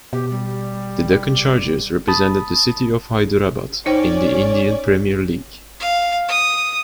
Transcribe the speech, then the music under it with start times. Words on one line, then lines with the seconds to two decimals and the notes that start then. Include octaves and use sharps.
The Deccan Chargers represented the city of Hyderabad in the Indian Premier League.
0.13 B2 G4
0.31 G3
2.08 A5 B5 D#6 A6
3.86 C#4 D#4 C5 D5 G5
5.80 F5
6.28 D#6